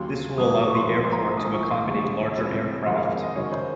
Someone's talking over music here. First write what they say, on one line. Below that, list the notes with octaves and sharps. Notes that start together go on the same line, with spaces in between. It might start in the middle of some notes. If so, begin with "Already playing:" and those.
This will allow the airport to accommodate larger aircraft.
Already playing: D#2 C#3 F#3 C6
G#1 G#2 F#3 D#6
D#6
C#6
C6
A#1 G#2 F3 C6
C6
A#5
C6
A#1 G#2 D#3 D#6
C#6
C6
D#2 C#3 G#3 C#6
C#2 C3 F3 G#3
F2 D#3 G#3 C6
F5
D#5
F#1 F#2 D#3 C#5
C5